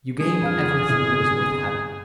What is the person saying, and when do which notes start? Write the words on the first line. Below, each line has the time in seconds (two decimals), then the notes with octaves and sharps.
You gain everything that is worth having.
0.20 G3 G#3 D4 G#4
0.41 F2 F5 F6
0.88 G1 C3 E3